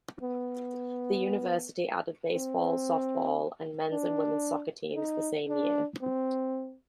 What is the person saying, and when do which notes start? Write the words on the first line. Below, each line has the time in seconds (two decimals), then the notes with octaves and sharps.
The university added baseball, softball, and men's and women's soccer teams the same year.
0.22 B3
2.32 C4
3.91 D4
4.95 D#4
5.49 D4
6.02 C4